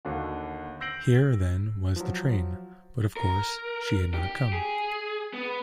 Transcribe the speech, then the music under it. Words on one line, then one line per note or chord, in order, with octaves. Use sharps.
Here, then, was the train, but of course she had not come.
D#2 D3 F#4
E6 G6 A#6 C7 D7 F#7
F3 F#3
A#4
G4
G#4
B3